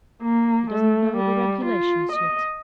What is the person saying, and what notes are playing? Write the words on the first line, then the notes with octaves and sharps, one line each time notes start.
He doesn't know the regulations yet.
A#3
A3
G3
F4
D#5